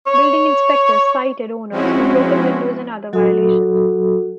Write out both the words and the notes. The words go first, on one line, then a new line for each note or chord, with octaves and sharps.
Building inspectors cited owners for broken windows and other violations.
C#5
F3 G#3 C4 C#4 E4 F#4
F#3 F#4 A4